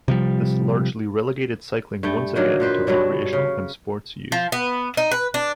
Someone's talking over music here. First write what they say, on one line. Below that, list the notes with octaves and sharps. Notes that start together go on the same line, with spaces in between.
This largely relegated cycling once again to recreational and sports use.
C3 F3 G3
G2 A3 G5
D3 D#3 F#3 A#3
A#2 B4 C5
G2 B2 F#3 D4
C#3
F3
B3
D#4
B4
D4